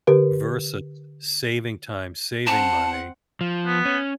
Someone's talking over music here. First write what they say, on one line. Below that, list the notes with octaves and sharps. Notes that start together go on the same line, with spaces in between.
versus saving time, saving money,
D3 G4 A#4 B4
C4 F#5 A5
F3
B3
C#4